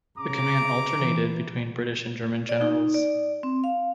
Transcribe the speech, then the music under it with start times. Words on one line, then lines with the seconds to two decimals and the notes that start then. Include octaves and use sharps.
The command alternated between British and German generals.
0.18 C#3 A#5 D6
0.94 E3
2.49 D5
2.61 D#4
2.95 D5
3.43 C4
3.64 F5